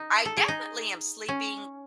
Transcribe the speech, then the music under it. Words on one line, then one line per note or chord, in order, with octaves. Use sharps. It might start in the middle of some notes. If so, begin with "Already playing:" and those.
I definitely am sleeping
Already playing: D#4
A4
G#4
D#4
C#4